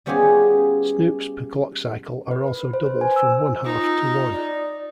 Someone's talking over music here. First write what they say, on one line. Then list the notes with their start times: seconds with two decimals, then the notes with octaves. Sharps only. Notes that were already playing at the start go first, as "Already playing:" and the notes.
Snoops per clock cycle are also doubled from one half to one.
0.06 G3 B3 C#4 F4 G4 G#4
2.31 B4
2.48 B4
2.73 C5
2.86 C5
3.01 G#5
3.16 E6
3.65 D#4 F4
4.32 D5